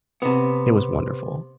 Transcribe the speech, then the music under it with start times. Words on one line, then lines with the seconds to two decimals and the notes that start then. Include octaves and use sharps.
it was wonderful.
0.22 C3 B3